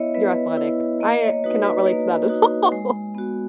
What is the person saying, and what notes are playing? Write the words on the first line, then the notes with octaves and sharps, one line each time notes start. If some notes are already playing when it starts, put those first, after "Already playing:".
You're athletic, I cannot relate to that at all.
Already playing: B3 E4 C#5 D#5 E5
B3 B4
E4
A#3 D#5
C#5
D#4 F#4 B4
B4
A#3
D#4 F#4
G#3
B3 F#4